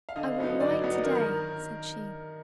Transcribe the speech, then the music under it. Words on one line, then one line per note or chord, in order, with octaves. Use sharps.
'I will write to-day,' said she.
F5
D3 D#5
F#3 B3 D#4
D3 D5
F#3 B3 D#4
D#3 A#4
A#4